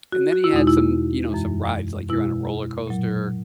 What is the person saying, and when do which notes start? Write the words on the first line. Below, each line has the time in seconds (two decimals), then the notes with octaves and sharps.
and then he had some, you know, some rides, like you're on a roller coaster,
0.12 F#4
0.32 F#4
0.44 E4
0.52 E2 B2 G#3 D#4
0.67 E4
1.31 F#2 E3 G#3
2.09 B2 G#3 E4
2.87 A#2 F#3